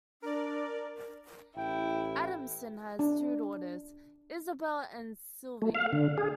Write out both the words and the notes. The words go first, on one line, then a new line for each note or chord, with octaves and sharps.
Adamson has two daughters, Isabelle and Sylvie.
D4 A#4 D5
A1 E4 G5
D4
A3
F5
D3
G#4